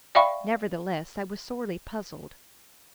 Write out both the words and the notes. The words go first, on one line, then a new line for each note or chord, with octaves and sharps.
Nevertheless, I was sorely puzzled.
D5 E5 F5 G5 B5 C#6